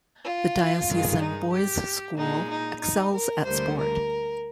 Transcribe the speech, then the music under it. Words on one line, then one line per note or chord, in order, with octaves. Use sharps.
The Diocesan Boys' School excels at sport.
F4
G2 D#3 G#3
D#4
G4
A#2 G#3 D#4
D#4
D#4
A#4
D2 D3 G3 A#3 C5
A#4